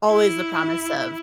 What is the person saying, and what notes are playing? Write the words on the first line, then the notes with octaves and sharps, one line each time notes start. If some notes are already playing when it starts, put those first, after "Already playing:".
always the promise of
E4